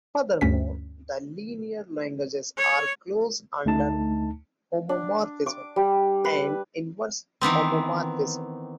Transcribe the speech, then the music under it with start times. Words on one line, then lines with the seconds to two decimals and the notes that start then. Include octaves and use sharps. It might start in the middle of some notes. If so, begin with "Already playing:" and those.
Furthermore, the linear languages are closed under homomorphism and inverse homomorphism.
0.41 D2 G2 C#4 B6
2.57 C#5
3.65 D2 A3 D#4 A5
4.89 D4
5.46 D6
5.76 G3
6.24 B4
7.41 D#3 E3 B3 C4